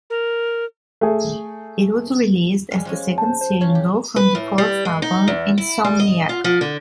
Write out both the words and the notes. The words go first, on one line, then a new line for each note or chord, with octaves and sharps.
It was released as the second single from their fourth album, "Insomniac".
A#4
A3 G#4
G3 G#3 F5
F3 G#3 C#4
C5 A5
C5
C#3 F4 C#5
G4
B4
A2
G3
G#3
D#4
E2
E4
G3
D#5
F4
F3
D3